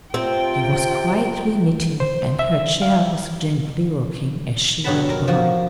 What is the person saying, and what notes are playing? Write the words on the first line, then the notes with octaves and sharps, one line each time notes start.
She was quietly knitting, and her chair was gently rocking as she went by.
C3 C4 F4 G5
C5
E5
F5
G2 B2 F#3 F#5 A5 B5
A#4
F3 F#4